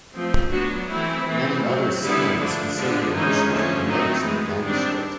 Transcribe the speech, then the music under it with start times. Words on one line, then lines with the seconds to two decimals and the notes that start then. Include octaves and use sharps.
Many other similar disconcerting omissions will be noticed in the Manuscript.
0.14 F3 A3 C4
0.52 F#3 B3 D4 F#4
0.89 E3 A3 C4 E4
1.26 E3 A3 C4
1.64 F#3 A3 C4
2.01 D3 G3 B3 E4
2.38 D3 F3 A3 D4
2.75 D3 F3 G#3 B3 D4
3.14 E3 G#3 C#4 D#4
3.51 D3 F3 A3 C#4
3.87 F#3 A3 C4 D#4
4.24 E3 G#3 B3
4.62 D#3 G3 C4 D4